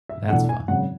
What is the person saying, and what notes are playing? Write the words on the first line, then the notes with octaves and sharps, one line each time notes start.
That's fun.
E5
E2 B2 A3 D4 F#5
G#5
G#1 F#2 C#3 F#5